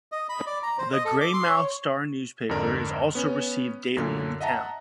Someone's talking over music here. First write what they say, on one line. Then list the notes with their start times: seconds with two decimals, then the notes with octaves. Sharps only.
The Greymouth Star newspaper is also received daily in the town.
0.12 D#5
0.29 B5
0.47 D5
0.63 A#5
0.78 C5
0.93 D#5
1.05 A4
1.21 D6
1.34 C6
1.49 C#5
2.49 F2 G#2 D3 A#4 D5
3.15 B3 C#4
3.97 F#2 A#2 D3
4.41 D#5 E5 F#5 A5 A#5